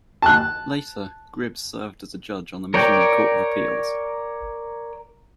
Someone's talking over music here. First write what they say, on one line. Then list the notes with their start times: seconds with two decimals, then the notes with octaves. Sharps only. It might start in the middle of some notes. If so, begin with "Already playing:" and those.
Later, Gribbs served as a judge on the Michigan Court of Appeals.
0.22 A5 F#6
2.74 A#4 C#5 D5 G5